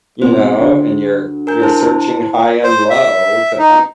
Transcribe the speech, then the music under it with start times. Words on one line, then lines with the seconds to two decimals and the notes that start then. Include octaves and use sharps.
You know? And you're you're searching high and low to find
0.22 B2 B3 C4 C5
0.60 D2
1.47 A#4 G#5 G6
1.60 E4 C5 A5
2.64 C5
2.90 E5
3.59 D#4